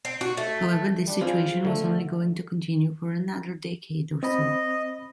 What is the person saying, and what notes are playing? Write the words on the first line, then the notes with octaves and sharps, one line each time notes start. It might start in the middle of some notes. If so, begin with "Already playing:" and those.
However, this situation was only going to continue for another decade or so.
C4
F#4
A3
G3 D4
C4 F4 G#4
D3 A3
C4 D#5 B5